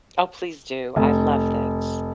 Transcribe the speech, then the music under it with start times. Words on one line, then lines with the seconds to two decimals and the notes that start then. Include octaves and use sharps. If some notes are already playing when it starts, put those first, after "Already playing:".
Oh, please do, I love this.
0.96 F1